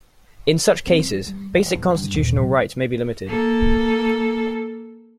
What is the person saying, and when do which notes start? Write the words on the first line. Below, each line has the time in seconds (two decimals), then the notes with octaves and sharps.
In such cases, basic constitutional rights may be limited.
0.87 C4
0.99 E3
1.27 G3
1.53 E3
1.75 E2
1.94 G2
2.14 D#1
2.37 F#3
3.27 A#3 A4